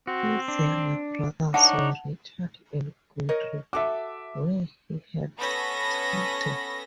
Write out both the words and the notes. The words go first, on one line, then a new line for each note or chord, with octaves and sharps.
His younger brothers were Richard and Godrey whom he helped tutor.
C4 F#4
D4
D4 D#4 C#5 F#5 A5
A#4 C#5 D#5
F#4 A4 E5 D6
B3 C#4 A4 B5 A#6